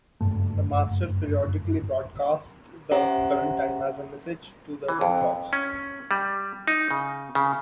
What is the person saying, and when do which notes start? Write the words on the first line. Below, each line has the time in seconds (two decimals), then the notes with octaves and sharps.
The master periodically broadcasts the current time as a message to the other clocks.
0.21 F#1 G2 A3
2.91 C#4 G4 C5 E5 F#5 A#5
4.89 E3
5.01 F2
5.53 C#4
6.11 G3
6.68 D#4
6.91 C#3
7.35 C#3